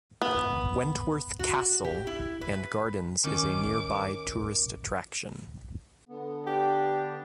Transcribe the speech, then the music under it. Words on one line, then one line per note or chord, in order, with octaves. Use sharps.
Wentworth Castle and gardens is a nearby tourist attraction.
B3
F#4
G4
E4
B4
D#3 C#4 D6
D3 B3
D4 G4